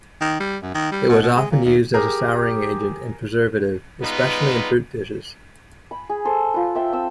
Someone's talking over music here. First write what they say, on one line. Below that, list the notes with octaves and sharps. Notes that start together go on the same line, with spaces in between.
It was often used as a souring agent and preservative, especially in fruit dishes.
D#3
G3
F#2
D#3
G3
B2
B2
G#3
A#2
D#2
G4 G#4 A#4
G3 G#3 B3 D#4 F4 B4
B5
G#4
A4 C5
F4 B4
C5 E5 G5 A5
C4 E5 E6